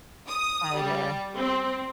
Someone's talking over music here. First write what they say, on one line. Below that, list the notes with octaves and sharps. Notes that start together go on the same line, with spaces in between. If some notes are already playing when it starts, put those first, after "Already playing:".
but, uh
D#6
G3
C4